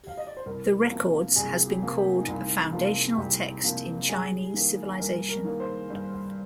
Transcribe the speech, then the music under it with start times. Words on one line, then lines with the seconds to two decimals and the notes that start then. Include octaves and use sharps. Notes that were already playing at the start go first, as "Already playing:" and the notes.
The "Records" has been called a "foundational text in Chinese civilization".
0.08 F5
0.17 D#5
0.27 D5
0.37 C5
0.46 C2 A#4
0.91 C3 F3 A#3
1.36 C2 G#4
1.67 G4
1.82 C3 F3 A#3
1.97 G4
2.21 D#4
2.27 C2 F4
2.72 C3 F3 A#3 F4
3.17 C2 G4
3.63 C3 F3 A#3
4.08 G2 G#4
4.54 D#3 A#3
4.99 G2 A#4
5.29 A#4
5.44 D#3 A#3
5.60 C5
5.90 G2